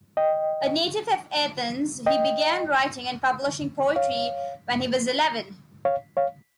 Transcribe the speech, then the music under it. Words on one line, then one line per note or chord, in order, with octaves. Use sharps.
A native of Athens, he began writing and publishing poetry when he was eleven.
D#5 G5
D#5 G5
C#5 F5
C#5 F5
C#5 F5